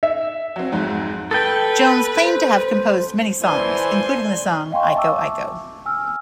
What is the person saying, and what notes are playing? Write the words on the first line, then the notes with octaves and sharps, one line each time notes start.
Jones claimed to have composed many songs, including the song Iko Iko.
E5
F#3 C4
F2 G#2 F#3
A4 B4 G5
C5
E3 A4 C5 D5 G#5 C6
D#5 F5 G5 G#5 C6 C#6
E5 A5 C#6 D6 E6
G#5 E6 F6